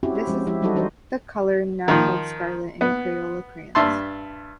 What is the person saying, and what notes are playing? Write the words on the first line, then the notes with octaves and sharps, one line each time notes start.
This is the color now called "scarlet" in Crayola crayons.
C4 C#4 E4 F#4 G4
G4
F3 G#3 C#4
F3 G#3 E4 G4 E5
F#3 G3 D#4 F#4 A4 D#5
E3 D4 F#4 C5 D#5
D#3 F3
B3
G2 E5 A5 C6